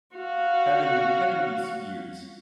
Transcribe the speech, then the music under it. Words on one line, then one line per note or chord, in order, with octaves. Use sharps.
having having these fears
F#4 F5